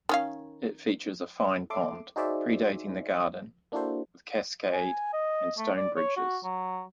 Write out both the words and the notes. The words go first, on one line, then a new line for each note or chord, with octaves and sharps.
It features a fine pond predating the garden, with cascade and stone bridges.
D#3 C#4 F5
A4 E5 C6 D6
D#4 F#4 G#4 C5 D5 E5
A#3 D4 E4 F#4 A4 C5
G#5
D#5
A3
D5
C#5
F#4
F#3